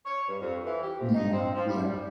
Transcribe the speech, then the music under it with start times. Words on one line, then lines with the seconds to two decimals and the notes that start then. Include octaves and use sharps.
Yeah, yeah.
0.05 C#5
0.28 G2
0.40 F2
0.65 E3
0.83 G4
0.98 F2
1.14 D#4
1.32 C4
1.54 F3
1.67 G3
1.88 G3